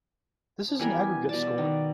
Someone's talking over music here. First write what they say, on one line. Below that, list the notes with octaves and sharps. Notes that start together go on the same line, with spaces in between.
This is an aggregate score.
A2 F3
E3 G3 B3 G4 A#4 G#5
B2 D5 A5
D#3